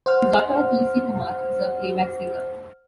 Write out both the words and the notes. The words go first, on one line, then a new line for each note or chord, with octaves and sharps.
His daughter Tulsi Kumar is a playback singer.
C5 F#5 F6